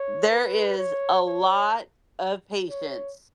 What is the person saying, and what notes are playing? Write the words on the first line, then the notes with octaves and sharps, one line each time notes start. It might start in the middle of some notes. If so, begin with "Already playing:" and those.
there is a lot of patience
Already playing: C#5
B4
C#5
C#5
C#5